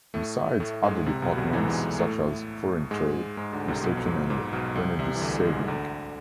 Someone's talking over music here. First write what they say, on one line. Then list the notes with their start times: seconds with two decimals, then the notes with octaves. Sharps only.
Besides other departments such as Foreign Trade, Reception and Energy Saving.
0.14 A2 A3
0.60 A2 A3
0.83 G#2 G#3
1.06 C2 C3
1.22 B1 B2
1.37 D2 D3
1.53 E2 E3
1.68 G#2 G#3
1.99 A2 A3
2.91 G#2 G#3
3.37 G#2 G#3
3.52 D2 D3
3.68 C2 C3
3.83 B1 B2
3.97 F2
4.06 G#2
4.30 G#2
4.53 B1 B2
4.75 C2 C3
4.99 C2 C3
5.15 E3
5.21 D2 D3
5.44 G#2 G#3
5.68 D2 D3